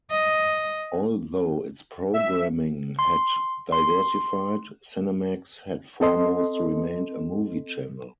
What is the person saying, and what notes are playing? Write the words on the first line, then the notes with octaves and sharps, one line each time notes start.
Although its programming had diversified, Cinemax had foremost remained a movie channel.
D#5
E5
C6
C6
C4 A4 D#5 C6